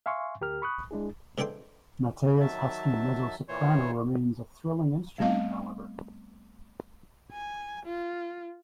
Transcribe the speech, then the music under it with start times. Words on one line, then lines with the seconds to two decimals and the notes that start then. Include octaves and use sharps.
Mattea's husky mezzo-soprano remains a thrilling instrument, however.
0.06 E5 F5 G#5 C6 C#6
0.41 D2 G4 A#4 F6
0.62 B5 C#6 D#6 F#6
0.91 G#3 D4 E4 G#4
1.38 G#2 E3 D4 A4 G5 C6
2.40 D#3 F#3 E5 A5
3.48 A#2 E3 C5 C#5
5.18 G3 A3 B3 C4 D#5 F5
7.32 G#5
7.86 F4